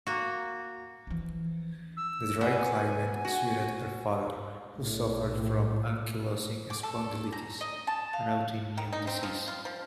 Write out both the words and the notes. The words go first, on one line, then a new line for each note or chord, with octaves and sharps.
The dry climate suited her father, who suffered from ankylosing spondylitis, an autoimmune disease.
A#3 F#4
E3 F3
E6
B3 G#5
F#4
B1 A2
D6
A4
A#5
D#5
A5
F5
D#3
D#4
C4
F3
F4
F3